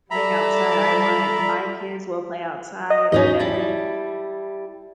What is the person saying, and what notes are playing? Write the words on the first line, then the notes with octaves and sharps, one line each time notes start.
Playing outside, I wanted my kids will play outside. I definitely
G3 A4 D5 E5 A#5 B5
D#5
E2 G#2 F#3 C#4 D#4 D#5
G3 E4 A5